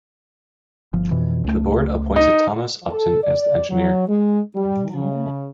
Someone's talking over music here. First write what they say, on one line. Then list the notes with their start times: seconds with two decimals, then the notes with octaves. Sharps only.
The Board appointed Thomas Upton as the engineer.
0.93 G1 F3
1.11 F2 B2 E3
1.44 C#2 A3
2.16 D#4
2.90 A4
3.23 D5
3.69 F#3
4.07 G#3
4.56 G3
4.93 C#3